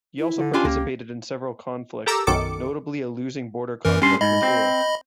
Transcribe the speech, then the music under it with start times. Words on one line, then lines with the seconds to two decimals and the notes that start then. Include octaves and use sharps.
He also participated in several conflicts, notably a losing border conflict with Uruk.
0.18 E4
0.38 D3
0.53 C#4 D4 F4 G4 G#5
0.65 C#2 A#3
2.06 G4 A4 A#4 A#5 D6 E6
2.27 B1 F#2 D#3 A4 D6 C#7
3.85 F#2 E3 A#4
4.02 G2 C#4 C6
4.21 G#2 D#5 B5
4.43 C4